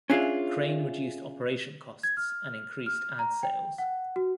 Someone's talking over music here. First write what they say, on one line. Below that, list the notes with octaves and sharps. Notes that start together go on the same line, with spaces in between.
Crane reduced operation costs and increased ad sales.
C#4 D4 F4 G#4 E5 F5
G#6
F6
F6
A#5
G5
F#5
F#4